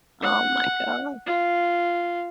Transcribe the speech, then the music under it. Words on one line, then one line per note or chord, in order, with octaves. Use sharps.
Oh my gosh.
F#5
F4